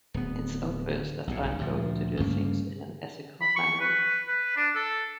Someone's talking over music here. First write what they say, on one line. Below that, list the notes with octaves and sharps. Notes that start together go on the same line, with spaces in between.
It's obvious that I'm going to do things in an ethical manner.
D1 B3
B1 A2
F#1 B1
D2 A#2 F3
G2 C#3 A3 A#3
B5
C#6
B4
B4
D4
A4